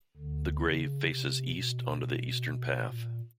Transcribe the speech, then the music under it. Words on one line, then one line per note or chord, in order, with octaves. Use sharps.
The grave faces east onto the eastern path.
D2 D3
C#3
C3
B2
A#2